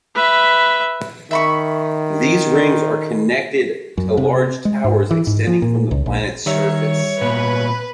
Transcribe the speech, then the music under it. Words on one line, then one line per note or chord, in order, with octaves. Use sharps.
These rings are connected to large towers extending from the planets surface.
B4 E5
D#3 E5 B5 C#6
F#2
C3
G#3
G#2
E3
G#2
F3
A#2
C#2
A#1
D#3 G3 C#5 E5
A#2 B3 B4